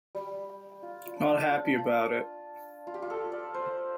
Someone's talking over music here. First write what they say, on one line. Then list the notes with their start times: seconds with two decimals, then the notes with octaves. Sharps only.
Not happy about it.
0.15 G3
0.83 F4
1.07 F4
1.17 D4
1.51 F4
1.65 D4
1.78 F4
2.87 F4
2.94 G4
3.02 F4
3.10 A4
3.32 D5
3.54 C5